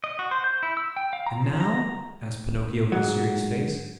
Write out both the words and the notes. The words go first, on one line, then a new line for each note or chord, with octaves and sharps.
"And now?" asked Pinocchio with a serious face.
D#5
F#4
C5
G6
E4
E6
G5
F5
A#5
F3
A#5
G#2 F#3